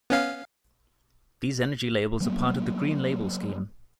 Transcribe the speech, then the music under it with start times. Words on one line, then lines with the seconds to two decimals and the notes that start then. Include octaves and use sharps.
These energy labels are part of the Green Label Scheme.
0.10 B3 C#4 F5
2.20 F#3 G3 A#3 B3